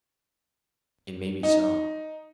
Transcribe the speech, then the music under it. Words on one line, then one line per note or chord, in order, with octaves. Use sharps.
"It may be so."
D#4